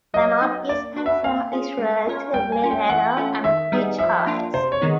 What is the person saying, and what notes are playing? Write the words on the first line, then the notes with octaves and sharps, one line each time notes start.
The northeastern floor is relatively level and featureless.
F#3 D#5
B3 D#4
A#3 D5
D4 F#4 B4
E5
A#3 F5
C#4 F4 G#4
G#3
C#4 F4 A#4 C#5
G3 G5
G#5
A#3 C#4 F4
G5
E3 F#5
A3 C#4 F4 A4
D#3 E5
G3 B3 D#4 G#4
F3 E5
A#3 D4 F4
C3 C5
C#5
D#3 G#3 B3 D#4